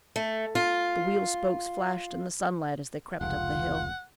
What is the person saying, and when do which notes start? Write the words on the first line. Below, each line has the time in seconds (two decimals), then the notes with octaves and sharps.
The wheel spokes flashed in the sunlight as they crept up the hill.
0.16 A3
0.55 F4
3.21 F1 C#2 F4 F#5